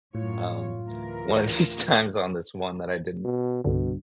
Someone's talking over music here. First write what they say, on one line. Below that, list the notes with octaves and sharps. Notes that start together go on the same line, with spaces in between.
Um, one of these times on this one that I didn't
F#2 A2 F4 C#5
D2 E3 A#4
B2
C2 G2 B2 D3